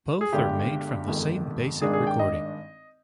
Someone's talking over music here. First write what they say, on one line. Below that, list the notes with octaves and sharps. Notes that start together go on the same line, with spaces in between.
Both are made from the same basic recording.
G#4
G1 G2 D3 G#3 D4 G4
G1 F2 D#3 G#3
G#1 G2 D#3 G#3 D4 G#4
G#4
G5
D#5